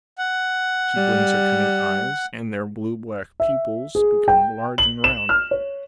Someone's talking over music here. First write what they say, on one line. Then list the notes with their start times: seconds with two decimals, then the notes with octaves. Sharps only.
She blinks her cunning eyes, and their blue-black pupils become large and round.
0.18 F#5
0.97 G3
3.40 E5
3.95 G#4
4.28 G5
4.78 F#7
5.04 E7
5.29 F6
5.51 C#5